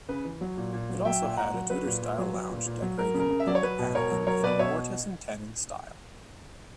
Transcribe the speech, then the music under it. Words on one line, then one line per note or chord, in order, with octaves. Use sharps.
It also had a Tudor-style lounge decorated in oak paneling in a mortise-and-tenon style.
C#3 B4
E3
F#3
A#2
A#2
F#3
F#3 E5 G5
A#2
A#2 F#5 A#5
F#3
F#3 B4
A#2
A#2
F#3
F#3
A#2
A#2
F#3
F#3 A#4
C#3
A#4
C#3
E5
F#3 D5
C#5
F#3 B4
B2
B2 A#4 C#5
F#3
F#3 A#4 C#5
B2 B4 D5
B2 C#5 E5